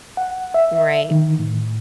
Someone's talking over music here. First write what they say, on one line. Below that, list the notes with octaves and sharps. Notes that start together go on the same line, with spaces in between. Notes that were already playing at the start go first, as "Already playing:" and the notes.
Mm, right.
F#5
E5
D#3
A2